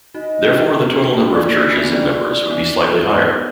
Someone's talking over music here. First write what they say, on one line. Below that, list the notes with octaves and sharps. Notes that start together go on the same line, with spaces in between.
Therefore, the total number of churches and members would be slightly higher.
D#4 F#4 D#5
D4 F4
B3 D#4
D4 F4
A#3 D4
D#4 F#4 D5
A#3
D#4 F#4
B3 D#4
D4 F4 D5
B3 D#4
D5